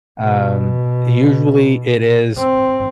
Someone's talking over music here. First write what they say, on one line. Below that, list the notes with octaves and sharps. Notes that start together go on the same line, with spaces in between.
um, usually it is
B2
C4